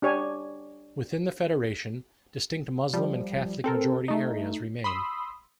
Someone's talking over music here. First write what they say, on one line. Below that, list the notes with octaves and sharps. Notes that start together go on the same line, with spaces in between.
Within the Federation, distinct Muslim and Catholic majority areas remain.
D4 G4 C#5 G#5
F3 G3
C4 A4 A#4
A3 D#4
B5 C6 D#6 E6